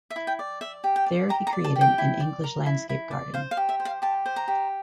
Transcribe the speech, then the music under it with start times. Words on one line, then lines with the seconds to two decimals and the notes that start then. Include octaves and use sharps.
There he created an English landscape garden.
0.10 E5
0.16 E4
0.27 G5
0.39 D5
0.61 D5 E5
0.84 G4
0.96 G5
1.06 D5
1.29 G4 A#5
1.47 A#5
1.53 D5
1.64 A5
1.76 G4
1.81 G5
1.98 E4
2.20 D5
2.44 A#4
2.66 E4
2.89 E4
3.11 D5
3.34 C5 F5
3.51 F5
3.57 G4
3.69 E5
3.80 C5
3.85 F5
4.02 G4 A5
4.26 C5
4.36 A#5
4.48 G4